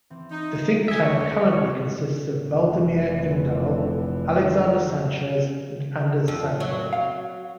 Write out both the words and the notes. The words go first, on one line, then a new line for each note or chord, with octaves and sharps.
The think tank currently consists of: Waldemar Ingdahl, Alexander Sanchez, and Anders Sandberg.
E3 C4
D#4
E1 A#2 D#5 E5 G#5
D2 G2 C#5
F1 E3
F2
F#3
F5